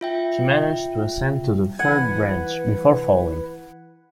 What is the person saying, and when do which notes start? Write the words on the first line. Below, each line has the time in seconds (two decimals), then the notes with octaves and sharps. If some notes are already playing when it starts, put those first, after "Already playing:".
She managed to ascend to the third branch, before falling.
0.01 F4 E5 G5
1.79 E3 B4 F#5 G#5